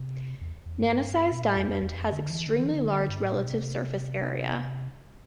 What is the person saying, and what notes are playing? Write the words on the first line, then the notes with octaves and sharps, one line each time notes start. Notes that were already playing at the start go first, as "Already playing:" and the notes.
Nanosized diamond has extremely large relative surface area.
Already playing: C3
E2
E2
G2
B2
A2
F2
F2
E2
F2
D3
E3
D3
E3
D3
G2
A2
B2
C3